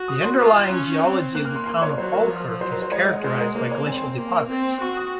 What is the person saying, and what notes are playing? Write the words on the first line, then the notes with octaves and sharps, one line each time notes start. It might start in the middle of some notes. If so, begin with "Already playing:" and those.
The underlying geology of the town of Falkirk is characterised by glacial deposits.
Already playing: F#4
D#6
C6
F4 D#6
F#6
C#4
C4
A#3 F#6
F6
C6
C6
C#5
F#3 C5
A#4
F3
F#3 C5
A#4
C5
G#3 C#5
D#5
F#5
G#3 C5
A#4
A#3 C5
C#5
C4 G#5
C6
A#3
C4
F#4 C#6
D#6